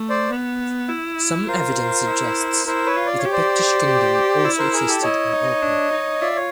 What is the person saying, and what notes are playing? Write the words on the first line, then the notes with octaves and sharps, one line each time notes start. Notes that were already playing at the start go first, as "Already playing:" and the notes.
Some evidence suggests that a Pictish kingdom also existed in Orkney.
Already playing: A3
C5 D5
B3
E4
F4 A#4 C5
E4
E4 A#4 C5
B4 C#5
F4
D5
C#5
G4
C5 D5
G4
E4
A#4 C5
G#4 A#4
G4 A4
E4 C#5 D#5
D#4
D4
D#4
F4 D5 E5
C#5